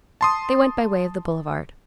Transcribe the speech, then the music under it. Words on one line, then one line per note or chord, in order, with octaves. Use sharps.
They went by way of the boulevard.
A5 C6 D#6